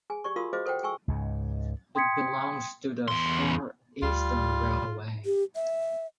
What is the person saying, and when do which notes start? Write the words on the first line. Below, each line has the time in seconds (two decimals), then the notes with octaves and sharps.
It belongs to the Far Eastern Railway.
0.10 G#4 G#5
0.24 G4 D5 C#6
0.36 F4 F#4 A#4 F5 C6 D#6
0.53 F#4 G#4 C5 D#5 F5 D6
0.66 A4 C5 F#5 G5
0.83 G#4 G5 G#5 C#6 E6
1.08 C#2 G#2 C#3
1.95 G5 C6 D#6 G#6 B6 C#7
3.08 E2 C6
4.02 D2 G3 F4
5.25 G4
5.55 E5